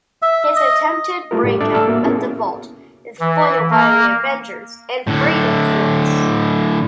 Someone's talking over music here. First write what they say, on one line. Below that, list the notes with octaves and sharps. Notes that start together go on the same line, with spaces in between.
His attempted breakout at the Vault is foiled by the Avengers and Freedom Force.
E5
D#5
G3 A3 F4 A#4
A2 G3 D5
D4 A4 D5 E5
A2 A3 A4 F6
A#3 F#4 E5
B3 C#4 E4 F#4 G#4 A#4
E3
A#3
A2 D3